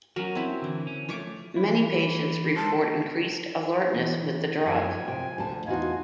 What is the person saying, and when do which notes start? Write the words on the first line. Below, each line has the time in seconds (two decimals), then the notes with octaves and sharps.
Many patients report increased alertness with the drug.
0.16 F#3 C#4 F#4 A#4
0.35 C4 E4
0.62 D3 E3
0.87 C#4
1.09 F3 G3 A3 C#5 C#6 D6
1.56 E3 E4
2.56 G#3 C5 A5
3.92 E3
4.65 F#2 F3 G#5
5.08 C3 G5
5.38 D2 D3 A5
5.67 E2 D#4 F4 F#4 G#5